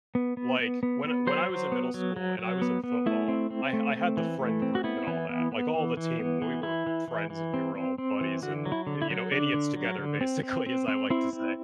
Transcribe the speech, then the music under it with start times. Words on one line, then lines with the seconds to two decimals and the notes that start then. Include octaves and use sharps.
like when a when I was in middle school and I was in football, I I had the friend group and all that, like all the team, we were friends, and we were all buddies and, y you know, idiots together, basically, as I like to say,
0.15 B3
0.37 B3
0.59 B3
0.83 B3
1.04 B3
1.27 F#3 C5
1.49 F#3
1.72 B3
1.94 F#3
2.16 F#3
2.39 F#3
2.62 B3
2.84 B3
3.06 A3 E4
3.28 C4
3.50 C4
3.73 A3
3.95 C4
4.17 E3
4.39 A3
4.62 C4
4.75 F#4
4.84 B3 E4
5.07 E3
5.29 B3
5.52 B3
5.75 E3
5.97 E3
6.19 B3
6.42 E3
6.63 E3 E4
6.86 E3
7.08 E3
7.30 E3
7.54 C4
7.75 C4
7.98 C4
8.21 E3
8.42 D3 F#4
8.65 F#3
8.72 E4
8.87 D3
9.02 E4
9.10 F#3
9.31 D3 D4
9.54 D3
9.76 F#3
9.98 D3
10.21 C4
10.43 C4
10.66 C4
10.88 C4
11.10 C4 E4
11.33 C4